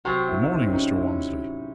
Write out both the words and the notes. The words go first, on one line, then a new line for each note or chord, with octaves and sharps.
"Good morning, Mr. Walmsley!"
C3 F#3 C4 F#4
E4
D#4
E4
C#4
D#4
E4